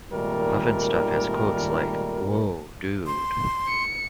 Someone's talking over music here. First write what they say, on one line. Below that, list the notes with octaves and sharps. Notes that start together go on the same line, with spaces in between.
Pufnstuf has quotes like Whoa, dude!
G#1 A#2 D#3 G3 A3 A#4
C6
C#7